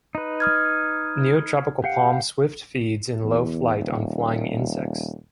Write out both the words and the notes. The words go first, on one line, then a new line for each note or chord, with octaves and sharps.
Neotropical palm swift feeds in low flight on flying insects.
D#4 B4
D#6 F6 G#6
G4 F5 F#5
E2
D#1